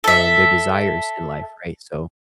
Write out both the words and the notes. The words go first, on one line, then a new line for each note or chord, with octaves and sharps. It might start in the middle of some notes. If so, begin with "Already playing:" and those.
and their desires in life, right, so,
A4 E5